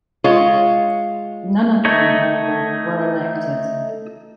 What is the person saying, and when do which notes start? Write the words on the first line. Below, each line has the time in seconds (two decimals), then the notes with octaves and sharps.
None of them however were elected.
0.24 G#3 F4 C#5
1.85 A3 D#4 C#5